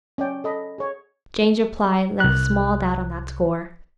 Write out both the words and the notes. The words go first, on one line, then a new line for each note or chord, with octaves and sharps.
Jane's reply left small doubt on that score.
C#4 D5 G5
A4 D#5 B5
G#4 C#5
C2 F#6